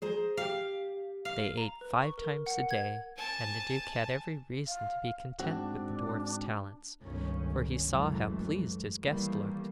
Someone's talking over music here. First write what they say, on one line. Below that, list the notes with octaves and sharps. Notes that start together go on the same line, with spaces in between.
They ate five times a day, and the duke had every reason to be content with the dwarf's talents, for he saw how pleased his guest looked.
G#4 C5 A#5
G4 F5
F5
A#5
B4
C#6
A#4
F#5
G#6
G#5 A5
F5
G#2 C4 D4 F#4
G1 C#2 D#3 C#4
F#1 F#2 E3 G#3 A3
A2 D#3 E3 G3 A3 A#3